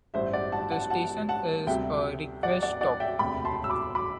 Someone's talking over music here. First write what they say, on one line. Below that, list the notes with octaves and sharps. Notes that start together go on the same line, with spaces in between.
The station is a request stop.
A1 G2 E3 C5 E5
D5 F#5
F#5 A5
F#5 A5
F#5 A5
F#5 A5
D2 C3 G3 E5 G5
D5 F#5
D5 F#5
D5 F#5
E5 G5
E1 D2 C3 G5 B5
A5 C6
E6
B5 D6
B5 D6